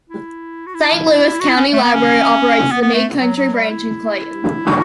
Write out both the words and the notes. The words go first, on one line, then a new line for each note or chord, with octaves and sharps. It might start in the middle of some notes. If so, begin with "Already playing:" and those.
Saint Louis County Library operates the Mid-County Branch in Clayton.
E4
F#4
E4
F#4
E4
C#4
A3
B3
C#4
B3
B3
A3
F#3
F#3
G3
E4
F#4